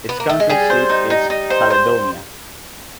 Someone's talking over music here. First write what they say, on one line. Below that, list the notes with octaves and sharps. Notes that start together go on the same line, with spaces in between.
Its county seat is Caledonia.
B3
A#3
A3
G#3
G3 G#4
C5
D#4
D#4
D#4
C5
C5